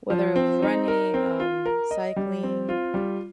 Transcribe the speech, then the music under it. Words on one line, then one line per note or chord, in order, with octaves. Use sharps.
whether it was running, um, cycling,
F3
C4
D#4
A#4
C4
F4
A#4
D#5
G3
C4
F4
G3